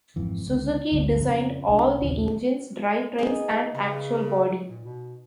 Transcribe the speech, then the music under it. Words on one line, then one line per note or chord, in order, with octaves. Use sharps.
Suzuki designed all the engines, drivetrains and actual body.
G#1 F2 E3
C#2 D3
G1 D2 G2
F2 C#3 F3
C2 A3 D4
A#1 D#2 C#3
B3 D#4 G#4 B4
C#3 B3
A#2
B2